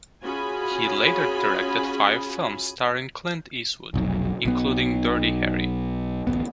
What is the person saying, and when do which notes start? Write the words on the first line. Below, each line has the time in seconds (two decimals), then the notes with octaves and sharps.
He later directed five films starring Clint Eastwood, including "Dirty Harry".
0.23 C#4 F4 F#4 G#4 G#5 B5
3.94 F1 B1
4.45 B1 B3
6.27 D1 A1 E2 B3